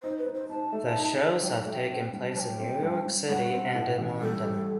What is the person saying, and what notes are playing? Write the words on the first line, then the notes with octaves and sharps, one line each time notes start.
The shows have taken place in New York City and in London.
D#4 C5
B4
D#4
C5
D#4 A5
A3
D#4
D#4
F#3 G5
A3
C4
G2
F#3 G5 A5
C4
G2
G2
G2 F#5
C4
A2
A1
G3 A4
G3